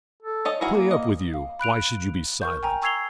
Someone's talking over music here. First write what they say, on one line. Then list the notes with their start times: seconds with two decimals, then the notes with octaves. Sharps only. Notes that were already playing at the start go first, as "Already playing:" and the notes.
'Play up with you, why should you be silent?
0.23 A4
0.45 C#5 D#5 A5
0.61 E4 F#4 G#4 A#4
0.74 A#3
0.91 D#5
1.34 F5
1.59 B5 F#6 D7 F7
2.42 A#4 C#6 G6
2.63 G5 G#5 A#5
2.82 C#6 E6 G#6 C7 F7 G7